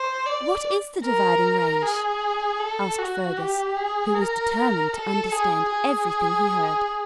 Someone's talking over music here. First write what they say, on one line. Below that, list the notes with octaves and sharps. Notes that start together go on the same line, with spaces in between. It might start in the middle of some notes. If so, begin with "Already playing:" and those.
"What is the Dividing Range?" asked Fergus, who was determined to understand everything he heard.
Already playing: C5
D5
A#4
G#4
A4
F#4
G4
G#4
A#4
A4
G#4
G#4